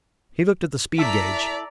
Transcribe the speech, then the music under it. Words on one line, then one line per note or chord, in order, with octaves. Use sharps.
He looked at the speed gage.
E4 A4 D5 E5 A#5 B6